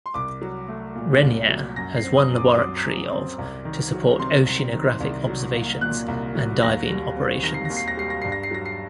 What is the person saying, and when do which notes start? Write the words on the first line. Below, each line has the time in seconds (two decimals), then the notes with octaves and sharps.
"Rainier" has one laboratory of to support oceanographic observations and diving operations.
0.06 C6
0.14 C2 D6
0.42 F#3
0.68 A3
0.95 A#2
1.23 C2
1.49 F#3
1.76 F#2 A#6
1.96 C7
2.03 C4
2.17 D#6
2.30 F#2
2.37 D6
2.46 C6
2.55 F#3 D6
2.85 F#2
3.11 C4
3.38 C2
3.65 D#3
3.92 F#3
4.19 C3 C6
4.46 C2
4.73 D#3
5.00 C2
5.27 F#3
5.54 A#3
5.81 A#2 F#6
6.08 C2
6.35 F#3
6.62 D#2 A#6
6.90 G3
7.16 C4
7.43 D#3 A#6
7.54 C7
7.65 D#2 A#6
7.77 C7
7.88 A#6
7.97 G3 C7
8.10 A#6
8.22 G2 C7
8.32 A#6
8.43 C7
8.51 F#3 A#6
8.65 C7